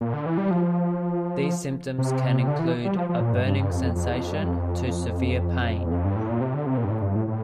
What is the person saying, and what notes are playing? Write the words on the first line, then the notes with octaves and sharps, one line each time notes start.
These symptoms can include a burning sensation to severe pain.
A#2
D3
E3
G3
F3
C3
D3
E3
G3
F3
F3
A#2
G2
G2
F2
F2
E2
F2
G2
F2
E2
F2
G2
A2
A#2
C3
D3
C3
A#2
G2
A2
G2
A2
A2